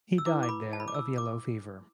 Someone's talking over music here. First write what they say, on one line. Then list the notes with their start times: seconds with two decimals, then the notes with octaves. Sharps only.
He died there of yellow fever.
0.18 E6
0.26 E4 B4 D6
0.43 D6
0.49 B5
0.73 A5
0.80 B5
0.88 D6
0.94 E6
1.18 D6